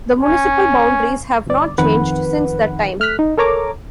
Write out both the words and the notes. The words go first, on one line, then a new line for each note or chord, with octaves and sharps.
The municipal boundaries have not changed since that time.
C#4
G1 D5
F2 D#3 B4 F#5
A3 F6 F#6 B6
D#4
A4 A#4 C#5 A#5 D6